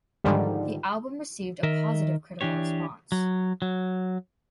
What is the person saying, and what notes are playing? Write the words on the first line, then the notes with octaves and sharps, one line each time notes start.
The album received a positive critical response.
G#2 D3 D#3 F3 G3
D#3 A#4 D#5 E5
E3 D4 G4 C#5
F#3
F#3